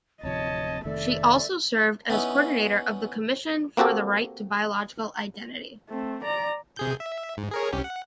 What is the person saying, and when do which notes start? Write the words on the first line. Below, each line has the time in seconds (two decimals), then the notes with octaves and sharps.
She also served as coordinator of the Commission for the Right to Biological Identity.
0.23 D1 C3 F3 C#5 D#5 A5
0.85 F1 D#3 A3 A4 D5 E5
2.10 B3 C#4 D#4 E4
3.77 A#3 C4 F#4 G4 A4
5.90 A3 C4
6.23 D5 A#5
6.77 C3 G#4 G6
7.00 E5
7.37 G#2
7.51 G#4 A#4 C#5
7.73 C2 C#4 G4
7.84 F#5